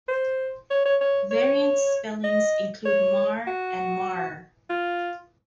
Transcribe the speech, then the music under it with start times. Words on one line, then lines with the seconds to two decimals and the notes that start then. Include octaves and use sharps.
Variant spellings include Mar and Marre.
0.08 C5
0.70 C#5
0.85 C#5
1.01 C#5
1.31 C#5
2.24 D#5
2.85 C#5
3.47 F#4
4.70 F4